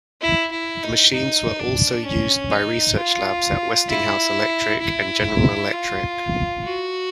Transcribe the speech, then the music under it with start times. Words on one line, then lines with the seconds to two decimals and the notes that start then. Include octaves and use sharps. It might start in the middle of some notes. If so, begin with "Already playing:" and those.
The machines were also used by research labs at Westinghouse Electric and General Electric.
0.21 E4
0.51 E4
0.83 D#4
1.13 D#4
1.59 D4
2.05 C#4
2.51 D#4
2.97 F4
3.88 E4
4.81 E4
5.73 F4
6.64 F#4